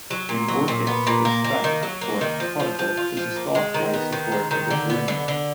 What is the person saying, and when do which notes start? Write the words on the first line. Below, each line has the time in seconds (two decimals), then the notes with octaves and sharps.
In orchids, the stipe or caudicle is the stalk-like support of the pollinia.
0.10 F#3
0.29 A#2
0.48 F#3
0.68 A#2
0.87 B3
1.07 A#2
1.25 A#3
1.44 A#3
1.64 D#3
1.83 F#3
2.01 A#3
2.21 D#3
2.40 F3
2.60 F3
2.79 F3
2.97 F4
3.17 F3
3.36 A#3
3.55 G#3
3.74 D#3
3.94 B3
4.12 D#3
4.32 G#3
4.51 D#3
4.71 D3
4.90 B3
5.08 D3
5.28 D3